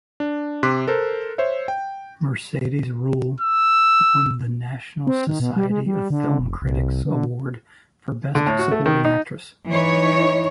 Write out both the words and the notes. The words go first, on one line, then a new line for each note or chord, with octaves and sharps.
Mercedes Ruehl won the National Society of Film Critics Award for Best Supporting Actress.
D4
C3 C6 D6 F#6 B6
A4 A#4 C5
C5 C#5 E5
G5
E6
C4
D#3
B2
G3
G#3
G3
D3
F1
C2
D3
D3
A2
F#4
A3
D#3
D#4
E3 D#4 C#5